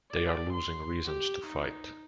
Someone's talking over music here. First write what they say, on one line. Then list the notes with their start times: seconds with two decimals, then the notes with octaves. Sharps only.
They are losing reasons to fight.
0.11 D5
0.53 C6
1.05 G4
1.46 D#4